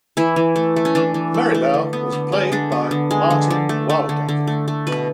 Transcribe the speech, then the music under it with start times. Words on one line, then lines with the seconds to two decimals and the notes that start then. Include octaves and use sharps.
Merrivale was played by Martin Wyldeck.
0.17 E3 E4
0.36 E3
0.56 A3
0.76 A3
0.85 C#4
0.95 E3 D4
1.14 E3
1.34 A3
1.54 A3
1.74 D3
1.93 B3
2.13 D3
2.32 G#3
2.52 D3 D4
2.72 B3
2.91 D3
3.11 G#3
3.30 D3
3.50 D3
3.69 A3
3.90 A3
4.09 D3
4.29 D3
4.47 A3
4.68 A3
4.87 B2 B4